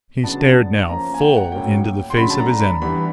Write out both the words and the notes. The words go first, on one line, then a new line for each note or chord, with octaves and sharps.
He stared now full into the face of his enemy!
C#3 F#3 B3 D4 A5
F3 A#3 C#4 A#5
G#5
G5
F#5
A2 F#3 A#3 C#4 G5
C6
C#3 F#3 A3 D4 B5
A5
A#5
B5
E3 G3 B3 D4 B5